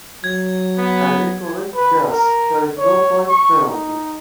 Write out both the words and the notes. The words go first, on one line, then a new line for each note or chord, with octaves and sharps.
An incorrect guess carried no point penalty.
F#3 G#6
B3
B4
A#4
C#5
C#6
D#4